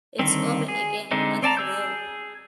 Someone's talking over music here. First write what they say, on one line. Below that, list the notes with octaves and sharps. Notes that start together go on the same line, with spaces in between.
It is open again at twelve.
D3 D#3 G3 C4
G#4
D3 G#3 C4 D4 D#4
C4 D5 A5 A#5
G#4 E6 G6